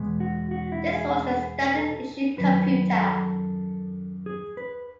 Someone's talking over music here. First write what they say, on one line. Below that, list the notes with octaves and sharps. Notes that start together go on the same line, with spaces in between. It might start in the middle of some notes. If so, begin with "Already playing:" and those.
This was the standard issue computer.
Already playing: E2 B2 G#3 B3
F#4
F#4
E4
G#4
A4
F#2 D#3 F#3 B4
A4
G#4
B4